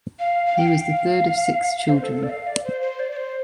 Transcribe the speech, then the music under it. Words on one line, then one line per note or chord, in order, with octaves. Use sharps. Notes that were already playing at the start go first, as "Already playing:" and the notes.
He was the third of six children.
F5
F5
G5
F5
F5
C5
A4
A4
D5
F5
D5
C5
C5
D5
D5
C5